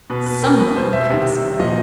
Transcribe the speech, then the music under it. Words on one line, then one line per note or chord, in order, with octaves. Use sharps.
"Some one," cried the sailor.
B2 B4
B4
A#4
B2 B4
C5
E5
C3 D#3
A#2 F3 D#5